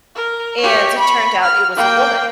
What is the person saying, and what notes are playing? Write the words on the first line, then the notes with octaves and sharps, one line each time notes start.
and it turned out it was a woman.
A#4
G4 C#5
B5 C#6
F6
A#3 G5